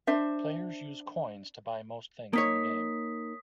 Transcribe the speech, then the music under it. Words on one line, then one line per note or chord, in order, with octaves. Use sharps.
Players use "Coins" to buy most things in the game.
D4 C5 E5
A#3 D#4 C#5 D#6 B6